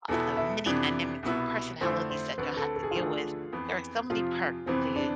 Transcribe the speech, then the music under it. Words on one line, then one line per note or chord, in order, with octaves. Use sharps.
a the many dynamics and personalities that you'll have to deal with. There are so many perks to,
E2 B2 B3 E4 A4
E5
F2 C3 E3 B3 D4
C2 B2 B3 E4
F2 D3 A3 C4 E4 C5
C5
D2 D3 A3 C4 B4
A4
A4
G#4
F4
D2 D3 A3 D4 G#4
F2 E3 B3
F2 C3 F3 F4
F2 C3 E3 B3 C4
D4